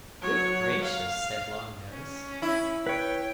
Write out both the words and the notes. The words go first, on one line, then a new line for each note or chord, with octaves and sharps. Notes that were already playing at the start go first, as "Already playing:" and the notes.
'Good gracious!' said Long Nose.
F#3 C#5
F5
C#4
E4
B4 C#5 G5